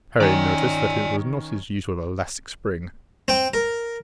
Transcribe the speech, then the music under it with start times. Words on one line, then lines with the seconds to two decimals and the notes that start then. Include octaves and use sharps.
Harry noticed that it was not his usual elastic spring.
0.20 D#3 C#4 D5 G#5
3.28 C4 G5
3.54 A#4